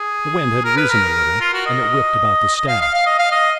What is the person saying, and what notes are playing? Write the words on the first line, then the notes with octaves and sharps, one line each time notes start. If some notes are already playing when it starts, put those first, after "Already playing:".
The wind had risen a little, and it whipped about the staff.
Already playing: G#4
A#4
B4
A#4
F4
F#4
D#5
D#5
F5
F5
F5
D#5
F5
D#5